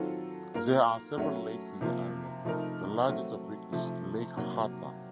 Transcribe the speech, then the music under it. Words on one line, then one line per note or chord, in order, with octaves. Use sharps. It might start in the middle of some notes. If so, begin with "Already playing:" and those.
There are several lakes in the area, the largest of which is Lake Hattah.
Already playing: D#3 F#3 C4 F4 A4
A#3 F4 A#4
F#3 A3 C#4
C3 F3 A#3 F4
C3 F3 A3 D#4 A#4
F#3 A3 C4
C3 F3 A3
C3 F#3 A#3